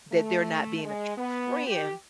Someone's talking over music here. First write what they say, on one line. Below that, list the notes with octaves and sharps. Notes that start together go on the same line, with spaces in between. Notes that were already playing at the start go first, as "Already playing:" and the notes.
that they're not being a true friend,
A3
G#3
B3
G4